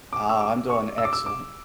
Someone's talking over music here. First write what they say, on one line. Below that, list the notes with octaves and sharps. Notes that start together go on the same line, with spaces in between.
Ah, I'm doing excellent.
D6
E6
D6
C#6
E6
D6
E6
D6